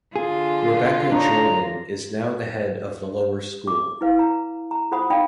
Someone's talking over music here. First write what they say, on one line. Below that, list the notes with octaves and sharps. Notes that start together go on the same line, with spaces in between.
Rebekah Jordan is now the Head of the Lower School.
D3 F4 G#4
D4 D#4 C#5 A#5
D6
E4 B4 F5
A#5
A#5
F4 A4 C5 F#5 B5 D#6
D#4 D5 F5 G5 B5